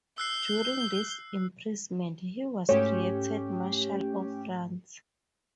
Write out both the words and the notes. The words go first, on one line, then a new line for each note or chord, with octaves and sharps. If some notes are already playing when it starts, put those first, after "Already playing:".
During this imprisonment he was created marshal of France.
E6 F#6 G6 C7
G#2 A3 C#4 G4 C#5